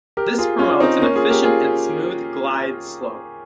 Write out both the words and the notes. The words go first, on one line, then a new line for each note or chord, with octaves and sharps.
This promotes an efficient and smooth glide slope.
G4 A#4
F4 G#4
C#4 F4
C4 D#4
A#3 C#4
F4 G#4
G4 A#4
F4 G#4